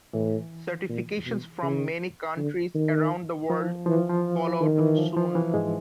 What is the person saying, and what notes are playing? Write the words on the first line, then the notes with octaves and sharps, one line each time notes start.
Certifications from many countries around the world followed soon.
A2 E3
A#2
B2
C#3
D3
D#3
F3
E3 F3
E3
F3
D#3 E3
E3
F3
F3
E3
G#2 G#3